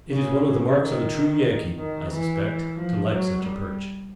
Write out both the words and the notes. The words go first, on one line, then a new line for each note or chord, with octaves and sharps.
It is one of the marks of a true Yankee, I suspect, to like such a perch.
C#3
D#3
D#3
E3
F3
F#3
G3